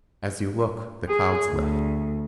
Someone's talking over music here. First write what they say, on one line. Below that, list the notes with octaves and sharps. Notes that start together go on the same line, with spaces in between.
As you look, the clouds lift.
G#4
D2